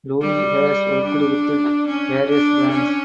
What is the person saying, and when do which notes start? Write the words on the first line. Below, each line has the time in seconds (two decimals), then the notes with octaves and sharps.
Looi has worked with various brands.
0.21 G3
1.05 D4
1.88 C#4
2.29 D4
2.71 C#4